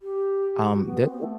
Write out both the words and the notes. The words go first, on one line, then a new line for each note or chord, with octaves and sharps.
Um, that
G4
F#4
B3
C4
B3
A3